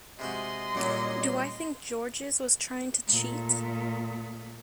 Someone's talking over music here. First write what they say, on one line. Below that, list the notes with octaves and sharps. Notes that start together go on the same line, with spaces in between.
Do I think Georges was trying to cheat?
C3 G#3 F#4 D#5 C6
A#2 F#3 G3 A#3 C#4 C#5 D6
A#2 A3